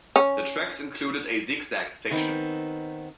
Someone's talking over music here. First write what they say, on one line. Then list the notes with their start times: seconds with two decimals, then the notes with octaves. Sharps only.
The tracks included a zig zag section.
0.16 C#4
2.11 D#3 B3 C4 D#4